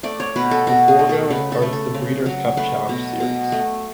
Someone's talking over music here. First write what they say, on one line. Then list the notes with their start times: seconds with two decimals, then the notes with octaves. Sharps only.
The Forego is part of the Breeders' Cup Challenge series.
0.03 A3 D5
0.20 C#5
0.36 B2 B4
0.51 A4
0.67 B2 F#4
0.88 G#4
0.99 A3
1.09 A4
1.30 C#3 B4
1.52 A4
1.62 A3
1.73 A4
1.94 C#3
2.26 F#3
2.57 A3 B4
2.89 B2
3.20 B2
3.52 A3